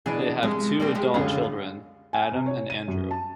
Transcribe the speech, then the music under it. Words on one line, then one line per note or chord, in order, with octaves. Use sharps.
They have two adult children, Adam and Andrew.
B2 E3 B3 D4 G#4
C2 G#3
G3 A#3 C4
G#3 G4
C#2 F#2 D3 C#4 F4 G#4
G#5
C3
C#5
D#7
F#2
A5